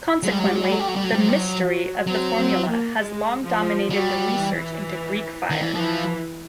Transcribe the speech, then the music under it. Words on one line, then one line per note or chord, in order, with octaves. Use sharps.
Consequently, the "mystery" of the formula has long dominated the research into Greek fire.
F#3 G#3
G3
F#3
G3
F#3
G3
F#3 A3
G3
F#3
G3
F#3
F3 G3
F#3
G3
F#3
F#3
F#3 C4
C4
A#3
G#3
F3
F#3 G3
E3
D#3
E3
E3 F3